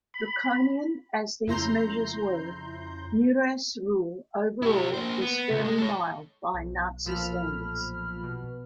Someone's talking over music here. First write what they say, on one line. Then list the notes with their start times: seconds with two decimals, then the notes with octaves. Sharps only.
Draconian as these measures were, Neurath's rule overall was fairly mild by Nazi standards.
0.14 B5
1.47 F2 C#3 E4 A#5 C6 G6
4.62 E4 G4
4.94 A#3 C5
5.21 B3
5.50 C#2
5.65 G#3
5.78 A4 C#5
6.53 B1
7.05 B1 A#2 F3 A4 B5 F6
8.23 B2